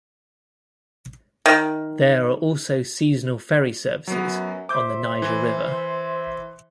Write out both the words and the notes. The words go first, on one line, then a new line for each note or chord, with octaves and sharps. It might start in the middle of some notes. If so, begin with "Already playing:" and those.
There are also seasonal ferry services on the Niger River.
D#3
F#2 F#3 B3
C5 E5 D6 G6
E3